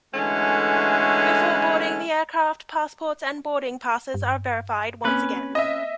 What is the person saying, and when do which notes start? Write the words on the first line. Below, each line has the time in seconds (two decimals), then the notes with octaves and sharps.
Before boarding the aircraft, passports and boarding passes are verified once again.
0.14 D3 E3 G#3 A3 C#4 F#4
4.14 G2
5.05 A#3 C4 C#4 B4
5.55 D#5 E5